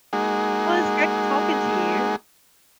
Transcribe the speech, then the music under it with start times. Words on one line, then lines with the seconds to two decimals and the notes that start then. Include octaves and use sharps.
Well, it's great talking to you.
0.13 G#3 A#3 D#4 F#4 G#4